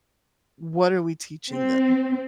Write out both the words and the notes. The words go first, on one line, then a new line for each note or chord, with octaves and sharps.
"What are we teaching them?"
C4